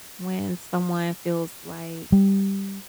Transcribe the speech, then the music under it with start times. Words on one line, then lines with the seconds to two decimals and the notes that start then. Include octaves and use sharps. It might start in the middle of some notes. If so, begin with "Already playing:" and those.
when someone feels like
2.12 G3